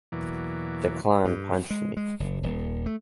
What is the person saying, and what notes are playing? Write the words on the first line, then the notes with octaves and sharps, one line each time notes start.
Declan punched me.
E2 B2 E3 F#3 A#3 D5
G2
G#3
G#3
F#1
D#1
A3